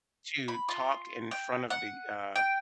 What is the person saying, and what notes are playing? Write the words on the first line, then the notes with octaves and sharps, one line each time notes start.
to talk in front of the, uh
B5
F4
G5
F#5
G5